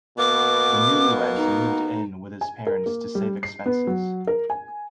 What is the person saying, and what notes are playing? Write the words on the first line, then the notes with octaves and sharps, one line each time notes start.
The newly-weds moved in with his parents to save expenses.
B2 A#3 B3 D6
D#4
G#5
A#4
A#3
G3
C7
B3
F#3
A#4
G#5